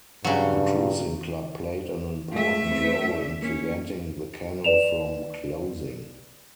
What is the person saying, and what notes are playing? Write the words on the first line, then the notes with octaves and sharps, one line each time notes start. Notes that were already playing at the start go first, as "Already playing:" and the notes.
The cruising club played an important role in preventing the canal from closing.
G2 C#3 F#3
G#3 A3 F4 E5
C4 B4
C#4 D5
A#3 C#4
B4 D5 E7 F7